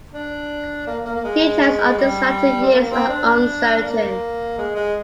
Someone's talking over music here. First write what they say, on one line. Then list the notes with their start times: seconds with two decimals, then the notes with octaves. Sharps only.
Details of his latter years are uncertain.
0.13 D4
0.87 A#3
1.05 A#3
1.15 A#3
1.24 G#3
1.98 G3
2.63 C4
2.72 A#3
2.91 C4
3.09 D4
3.84 A#3
4.58 G#3
4.76 G#3